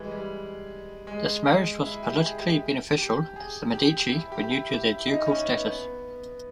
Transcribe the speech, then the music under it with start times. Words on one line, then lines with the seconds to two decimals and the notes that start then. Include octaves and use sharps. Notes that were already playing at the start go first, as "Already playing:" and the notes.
This marriage was politically beneficial as the Medici were new to their ducal status.
Already playing: E3 G3 G#3
0.11 G3
1.07 G#3
1.46 G#3
1.83 E4
2.03 G4
2.21 G#4
2.41 G4
2.98 G4
3.36 G#4
3.74 G4
4.13 E4
4.32 G4
4.51 E4
4.69 G4
4.89 E4
5.07 D#4
5.26 C#4
5.45 B3
5.65 B3